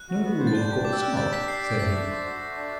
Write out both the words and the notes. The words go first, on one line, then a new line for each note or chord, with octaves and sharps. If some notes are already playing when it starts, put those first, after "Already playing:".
"No, of course not," said he.
Already playing: F#6
F#4
B3
C5
A6
D4 G6
G4
G5 D6
E6
D5 F#6
G6
D4 A6
G4 B6
G5 C7
D5
A6
A3 B6
D4
C5
F#4
A3
D4